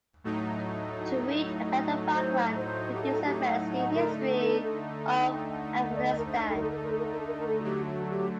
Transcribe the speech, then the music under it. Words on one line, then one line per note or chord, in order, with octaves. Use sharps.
To read about the background to these events, see History of Afghanistan.
A2 F#3 A3 D#4
C5
C5
G4
A4
G4
F#5
F#5
D3 A3 D#4 A#4
A4
A4
A4
G5
G5
G5
F#5
F#5
D5
D#5
A#4
C5
A4
A#4
A4
A#4
A4
A#4
A4
A#4
A4
A#4
A4
A#4
A4
A#4
A4
F#4
D3 F#3 A3 G4
F#4
G4